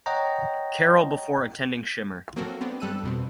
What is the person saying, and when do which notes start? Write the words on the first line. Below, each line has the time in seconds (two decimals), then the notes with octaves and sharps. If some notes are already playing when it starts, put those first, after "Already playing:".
Carroll before attending Shimer.
0.06 C#5 D#5 F#5 G5 A#5
2.36 F#3 A#3 C4 F#4 A4 A#4
2.61 B3 C4 D4
2.80 G2 G3 A4 E6 F#6 D#7
3.03 F2 B2 C4